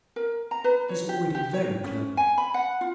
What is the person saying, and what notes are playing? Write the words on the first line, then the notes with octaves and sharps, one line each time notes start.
She is already very clever.
A#4
A#5
B4
C#5
G4
G4
C#5
C#4
G#5
B5
F#5
F4